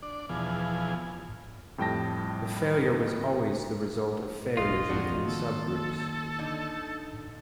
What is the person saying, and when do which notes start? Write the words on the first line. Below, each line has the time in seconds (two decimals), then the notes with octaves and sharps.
The failure was always the result of failures within subgroups.
0.02 D4 D5
0.29 E2 B2 F3 G#4
1.78 F2 A2 G3 G5 A5 A#6
4.57 F1 B1 A2 F4 D#5
4.89 D1 A1 F2 C4 D4 F#4
5.28 D#3 A#3 A4
6.39 D3 D#4